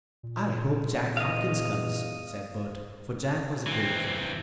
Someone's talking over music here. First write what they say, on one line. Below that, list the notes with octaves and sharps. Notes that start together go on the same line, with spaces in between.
"I hope Jack Hopkins comes," said Bert, for Jack was a great friend.
A#2
E2 D#5 F5
E3 C4